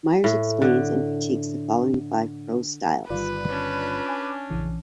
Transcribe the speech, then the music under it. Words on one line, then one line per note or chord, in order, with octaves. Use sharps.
Myers explains and critiques the following five prose styles.
A2
D3
G1 D#3 G3 F4 B4 D5
C#4 D4
G#5 D6
A#1 F2 C#3 E3